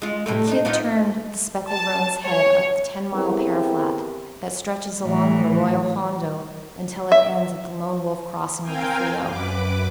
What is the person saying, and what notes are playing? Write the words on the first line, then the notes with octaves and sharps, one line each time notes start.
The Kid turned the speckled roan's head up the ten-mile pear flat that stretches along the Arroyo Hondo until it ends at the Lone Wolf Crossing of the Frio.
G#3 F4
A2 C3 A3
D4 D#4
B3 D#4 F4
A5
C#5
B3 C4 E4 G4 G#4 A#4
A2 E3
E5
C4 A#4 F5 G5 G#5
F#2 B4 D6